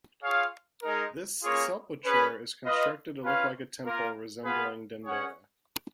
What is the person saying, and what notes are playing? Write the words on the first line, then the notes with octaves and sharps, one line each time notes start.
This sepulchre is constructed to look like a temple, resembling Dendera.
F4 G#4 C#5 F5
G#3 D#4 A#4
A#3 C#4 F4 G#4 C#5
C#4 G#4 B4
F4 B4 D#5
C#4 F4 B4 F5
A#3 F4 A#4
B3 F4 G#4 B4 F5
C#4 G#4 C#5 F#5